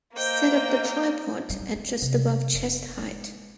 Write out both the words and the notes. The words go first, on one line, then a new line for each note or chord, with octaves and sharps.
Set up the tripod at just above chest height.
A#3 C5 D#5 G5
G3
D3
C3
F1
G#3